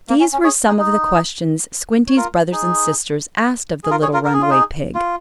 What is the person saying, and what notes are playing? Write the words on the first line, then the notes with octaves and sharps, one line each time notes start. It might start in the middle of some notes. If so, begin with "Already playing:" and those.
These were some of the questions Squinty's brothers and sisters asked of the little runaway pig.
A#3
C#4
C#4
G#4 C#5
D#4 G#4
D#4
C#5
F4 A#4
D#4 G#4
G#4
F4 A#4
G#4 C#5
F4 A#4
A#4
G#4
F4
D#4 G#4
F4